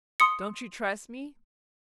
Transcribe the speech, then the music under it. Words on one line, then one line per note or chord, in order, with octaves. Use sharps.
Don't you trust me?
C6 D#6 C#7